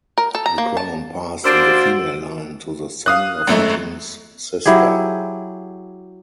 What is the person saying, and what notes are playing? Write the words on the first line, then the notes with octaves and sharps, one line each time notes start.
The crown passed in the female line to the son of the king's sister.
A#4
A4
A#5
A#3
A5
A#3 D4 F#4 C5 E6 D7
F5 D#6 F#6
G#1 F#2 A3
F#3 E4 G4 G#4